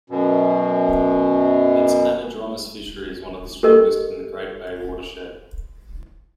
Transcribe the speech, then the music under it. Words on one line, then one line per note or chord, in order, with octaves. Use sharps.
Its anadromous fishery is one of the strongest in the Great Bay watershed.
F#2 B2
G4 A4 A#4 D#5